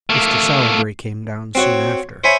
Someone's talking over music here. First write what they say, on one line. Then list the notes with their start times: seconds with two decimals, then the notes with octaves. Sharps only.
Mr. Sowerberry came down soon after.
0.10 A3 A#3
1.55 C4 F#4 C#5
2.24 C5 C#5 E5 G#5 B5 C#6